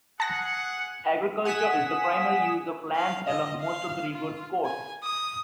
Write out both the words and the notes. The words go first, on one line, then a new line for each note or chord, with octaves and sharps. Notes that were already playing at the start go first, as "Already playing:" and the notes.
Agriculture is the primary use of land along most of the river's course.
G#4 F#5 A5 A#6
F#5 G#5 D#6 B6 E7
F5
D#5
F5
F4
G#5
D#6